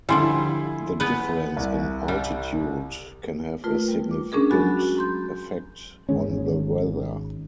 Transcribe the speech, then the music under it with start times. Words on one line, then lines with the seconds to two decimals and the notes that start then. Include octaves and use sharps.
The difference in altitude can have a significant effect on the weather.
0.09 D3 F3 G3 E4 G#5 C6
1.00 B3 B4
1.57 C2
2.08 G3
3.64 A3 F4 A#4 B4
3.88 G3
4.11 D6
4.32 C#4 D4 G#4 A#4
4.51 F#3 G#3 F#4 B5 F#6 A6
4.97 A#5 C6 G6
6.09 G#1 D#3 G#3 C#4